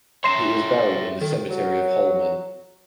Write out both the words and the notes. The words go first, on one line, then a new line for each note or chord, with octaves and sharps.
He is buried in the Cemetery of Holmen.
C#5 E5 A#5 C6 C7 E7
D#3 A4
F#3